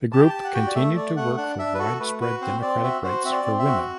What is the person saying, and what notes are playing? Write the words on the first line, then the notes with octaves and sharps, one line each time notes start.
The group continued to work for widespread democratic rights for women.
G4 A5
G5
G4 A5
F#5
F#4 G5
D5
A3 E5
A3 D5
A3 F#5
D4 F#5
D4 E5
B4
F#4 A4
A3 B4
F#4 B4
C4 C5
C4 D5
F#4 E5
F#4 C5
C4 E5
D5
C4
E5
F#4